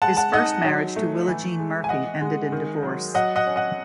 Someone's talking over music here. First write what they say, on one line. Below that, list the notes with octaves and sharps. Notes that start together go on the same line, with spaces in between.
His first marriage to Willa Jean Murphy ended in divorce.
G#3 F#5 A5
F#5 A5
D#4 D#5 F#5
F#3
A3
E3
G#3
G#5
E3 D#5 F#5
G#3
D#3
F#3
F#3 D#5 F#5
D#5 F#5
C#4
D#5 F#5